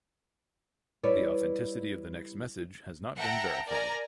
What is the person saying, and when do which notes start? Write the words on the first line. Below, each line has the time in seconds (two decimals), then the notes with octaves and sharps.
The authenticity of the text message has not been verified.
1.03 G3 E4 B4 C#5 D5
3.18 E5 F#5 G5 A5 A#5
3.67 A#4 D5 G#5 A#5